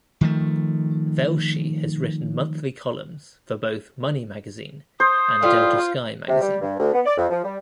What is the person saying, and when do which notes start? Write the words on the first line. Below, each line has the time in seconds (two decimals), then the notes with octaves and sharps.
Velshi has written monthly columns for both "Money Magazine" and "Delta Sky" magazine.
0.21 D#3 F3 A3
5.00 C5 D#6
5.42 A2 G3 F4
6.28 C3
6.41 G3
6.61 G2
6.79 D2
6.93 B3
7.05 D5
7.17 F2
7.30 F3
7.44 G3